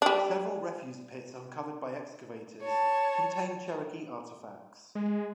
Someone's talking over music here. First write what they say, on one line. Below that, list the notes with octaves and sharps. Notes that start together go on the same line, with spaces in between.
Several refuse pits uncovered by excavators contained Cherokee artifacts.
G3 D4
C#5 A5
G#3